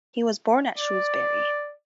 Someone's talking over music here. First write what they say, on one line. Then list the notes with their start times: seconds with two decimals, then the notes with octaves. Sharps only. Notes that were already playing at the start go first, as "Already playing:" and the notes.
He was born at Shrewsbury.
0.78 D5